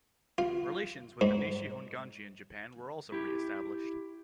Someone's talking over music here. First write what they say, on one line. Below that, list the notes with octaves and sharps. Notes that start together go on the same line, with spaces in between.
Relations with the Nishi Honganji in Japan were also reestablished.
F4
G#2
E4 G4